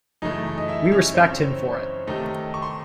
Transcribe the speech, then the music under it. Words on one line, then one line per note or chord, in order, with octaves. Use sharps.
We respect him for it.
F#2 C#3 E3 A3 D#4 D#5
D#5
E4 E5
C#4 C#5
C4 C5
C3 D#3 A3 D#4 D#5
C#6
C6